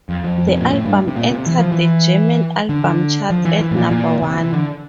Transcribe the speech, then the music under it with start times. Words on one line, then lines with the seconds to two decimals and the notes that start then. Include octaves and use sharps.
The album entered the German album charts at number one.
0.09 F2
0.24 F2
0.48 C3
0.61 A#2
0.73 A2
0.86 G2
1.08 C3
1.16 A#2
1.31 C3
1.46 E3
1.59 F3
1.72 E3
2.69 D3
2.84 D3
3.30 F3
3.45 E3
3.61 E3
3.71 A2
3.76 A#2
3.91 A#2
4.22 C3
4.38 E3
4.53 D3